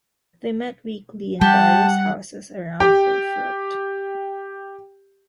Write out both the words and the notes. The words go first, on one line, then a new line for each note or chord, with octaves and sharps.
They met weekly in various houses around Erfurt.
G3 G4 F#5 A5
G4 G5